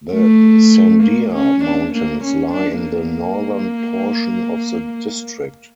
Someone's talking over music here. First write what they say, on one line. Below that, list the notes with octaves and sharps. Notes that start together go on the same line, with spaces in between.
The Sandia Mountains lie in the northern portion of the District.
A3
A#3
C#4
D4
A#3
C#4
D4
A#3